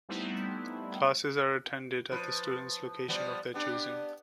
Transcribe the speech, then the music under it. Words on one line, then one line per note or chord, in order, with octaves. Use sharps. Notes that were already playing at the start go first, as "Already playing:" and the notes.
Classes are attended at the students location of their choosing.
G3 A3 B3 C4 D#4 E4
F3 B4
F3 G3 B3
B3 D4 G4